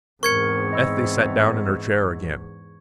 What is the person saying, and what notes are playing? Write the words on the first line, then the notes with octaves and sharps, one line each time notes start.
Ethne sat down in her chair again.
E2 G#2 C4 A#4 C#6 G#6 C#7
D#5 B5 E6